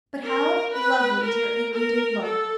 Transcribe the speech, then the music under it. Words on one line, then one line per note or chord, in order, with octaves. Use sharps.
But how lovely dear Amy did look.'
A#4
B4
A#4
A#4
A4